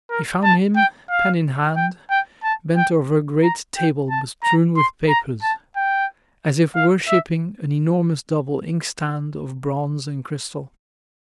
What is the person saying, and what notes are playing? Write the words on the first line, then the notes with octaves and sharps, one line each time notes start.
He found him, pen in hand, bent over a great table bestrewn with papers, as if worshipping an enormous double inkstand of bronze and crystal.
A#4
A5
G5
F5
G5
G5
A5
G5
A#5
G5
A5
A#5
C6
A#5
A5
G5
F5
E5